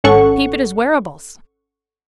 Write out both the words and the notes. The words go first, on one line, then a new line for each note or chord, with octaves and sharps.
Peep at his wearables.
G#1 C#4 A4 F#5 C#6